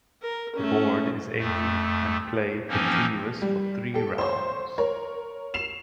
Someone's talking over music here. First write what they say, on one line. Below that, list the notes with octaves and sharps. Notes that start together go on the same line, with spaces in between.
The board is emptied and play continues for three rounds.
A#4
A3 C#4
F2 A3
E3 F3 A#3 C4 C#4 D#4
G3
G4 A4
C5 C#5
A#4 C#5
C7 E7 F7